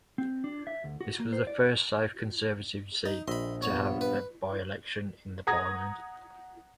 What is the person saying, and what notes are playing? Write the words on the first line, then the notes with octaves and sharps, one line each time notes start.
This was the first safe Conservative seat to have a by-election in the Parliament.
C4
D4
E5
D2
F#4
A#3
C5
D5
D#4
A#1 D#5 E5 B5 C6
G2 B3 C#5
B4
F#5 A#5 D#6 G#6 A#6